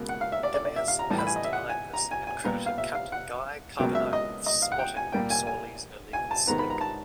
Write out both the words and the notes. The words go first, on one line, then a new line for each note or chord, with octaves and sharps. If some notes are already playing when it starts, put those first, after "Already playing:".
Demers has denied this and credited captain Guy Carbonneau with spotting McSorley's illegal stick.
Already playing: C#2 B2 A#3
F#5
F5
E5
D5
D5
D5
E5
F5
A#5
A2 E3 G3 A5
B5
G#5
D#5
E5
F#5
G#5
A#5
G#5
G#5
A#2 G3 B3 A#5
F5
E5
F5
F#5
C#2 B2 F#3 A#3 G5
E5
D#5
D#5
F5
F#5
G5
G#5
A#2 G3 A#3 G5
G#5
G#5
G#5
A5
G#2 D#3 G#3 B3 A#5
B5
A#5
A5